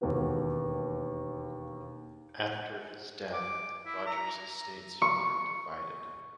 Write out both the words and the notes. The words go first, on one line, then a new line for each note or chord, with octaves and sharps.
After his death, Roger's estates were divided.
E1 D#2 D#3 A#3 B3 F#4
D6
E4
A#5
C#6